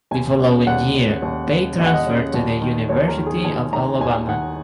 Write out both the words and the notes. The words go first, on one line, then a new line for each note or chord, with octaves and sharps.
The following year Pate transferred to the University of Alabama.
D#2 G#5
C#3
D#2 F#5
C#3
D#2
C#3
D#2 D#5
F#5
D#5
C#3
D#2
D#3
D#2 C#5
A#4
D#3
G#4
D#2 G#5
D#3 A#5
D#2 G#5
D#3 F#5